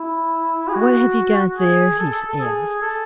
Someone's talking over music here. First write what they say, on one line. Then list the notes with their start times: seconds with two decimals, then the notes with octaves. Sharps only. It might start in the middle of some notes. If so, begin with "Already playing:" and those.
"What have you got there?" he asked.
Already playing: E4
0.68 G#4
0.75 F#4
1.57 G#4
1.99 A4
2.13 A4
2.26 A4
2.41 G#4
2.82 A4